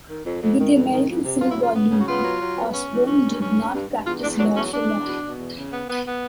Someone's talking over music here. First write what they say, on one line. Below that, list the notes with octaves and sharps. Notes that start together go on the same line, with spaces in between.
With the American Civil War looming, Osborn did not practice law for long.
D#3
F2
F2
D#3
F2
D#3
F2
C3
F#3 F4
E4
C#3 F4
B3
C#3
F#4
B3 F4
F#3
F#3
B3
C#4
E3
C#4
G2
C#4
G2
G2
G2
E2 F4
E2 D4
F#3 D4
E2 C#4
E2 D4
E2
B2
B2
E2
C#3
B3
B3
B3